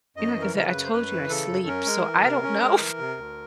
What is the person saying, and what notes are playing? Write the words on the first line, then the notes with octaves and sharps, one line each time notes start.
You know, like I said, I told you I sleep, so I don't know.
F#2 D#5
E3
A#4
C#3 A#4
B4
F#2
C5
F#2 B4
E3
C#3 A4
F#2
C#4 A#4
G#3
E3
C3
C#4
G#3
E3
C3
D2